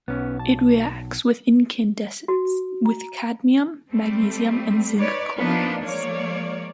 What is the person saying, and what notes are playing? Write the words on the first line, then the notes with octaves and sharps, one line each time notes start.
It reacts with incandescence with cadmium, magnesium and zinc chlorates.
B1 B3 C#4
A5
F#4
A#5
G3 A3 C4
D#4 B4 C#5 D5
F3 A#3 B3 D4 D#4 F4
F3 G#3 A#3 C#5 D5